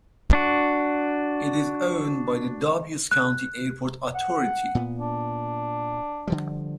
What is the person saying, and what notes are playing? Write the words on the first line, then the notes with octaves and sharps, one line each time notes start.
It is owned by the Dubois County Airport Authority.
D4 F#4
F#6
F#5
A#2 B3
D4
D3 F3 G3